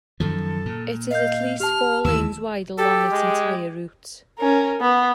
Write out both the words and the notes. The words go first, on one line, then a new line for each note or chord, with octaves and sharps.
It is at least four lanes wide along its entire route.
F#2 D#3 F3 A4
A#2
D#5 F5 G6
G4 A5 F6
D#2 E3 E6
G4 A4
G#3
C#4 A#4
B3